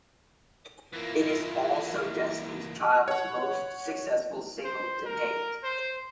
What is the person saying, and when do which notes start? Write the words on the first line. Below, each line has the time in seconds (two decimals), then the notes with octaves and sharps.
It is also Destiny's Child's most successful single to date.
0.93 E3 A#3 E4 F4 A#4
3.08 C#5 F#5
4.64 C5
5.06 A#4
5.63 C5